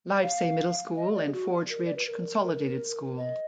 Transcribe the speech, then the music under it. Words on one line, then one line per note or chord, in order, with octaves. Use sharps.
Livesay Middle School and Forge Ridge Consolidated School.
F5
D#5
D5
G#4
F#4
A#4
D5
B4
A#4
A#4
D#5